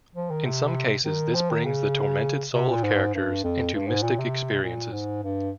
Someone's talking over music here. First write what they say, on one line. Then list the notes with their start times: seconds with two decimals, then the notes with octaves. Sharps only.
In some cases this brings the tormented soul of characters into mystic experiences.
0.15 F3
0.30 D#3
0.45 C3
1.04 D#3
1.34 F3
1.50 D#3
1.65 C#3
2.53 C3
2.69 A#2
2.83 G#2
3.14 G2
3.44 F2
3.74 G2
3.87 G#2
4.03 A#2
4.18 C3
4.62 A#2
4.92 G#2
5.23 G2